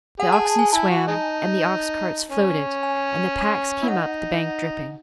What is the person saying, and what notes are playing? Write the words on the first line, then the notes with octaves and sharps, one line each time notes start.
The oxen swam and the ox-carts floated and the packs came up the bank dripping.
G#4 F#5
A5
A5
G#5
E4 A5
F#4
G#3 D#4
C#4
G#5
E4
D#4 F#5